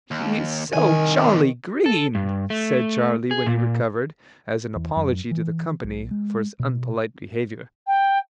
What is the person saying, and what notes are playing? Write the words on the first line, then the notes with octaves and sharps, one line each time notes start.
'He is so jolly green!' said Charley when he recovered, as an apology to the company for his unpolite behaviour.
D#2
C2 D#3 G#5
B2 D3
A4
G2
A3
G#4
A#2
E2
F#2
E3
B1
G#3
B2
G5